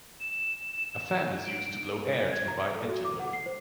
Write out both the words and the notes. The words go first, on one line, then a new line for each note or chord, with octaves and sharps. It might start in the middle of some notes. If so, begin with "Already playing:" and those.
A fan is used to blow air to provide engine load.
E7
D7
C5
G#6
A#5
A#5
A4
F#4
D6
F#5
C7
C5